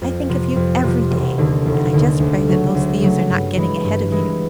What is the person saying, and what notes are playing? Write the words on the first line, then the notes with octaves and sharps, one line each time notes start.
I think of you every day, and I just pray that those thieves are not getting ahead of you.
F2
C3 F3
F2
C3 F3
E1
D#2 D3
E1
D#2 D3
D2
C#3 F#3 A3
D2
C#3 F#3 A3
G2
E3 G#3
G2
E3 G#3